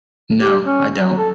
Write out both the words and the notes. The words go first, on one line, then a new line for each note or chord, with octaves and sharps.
No, I don't.
G4
C#4
F#3
A4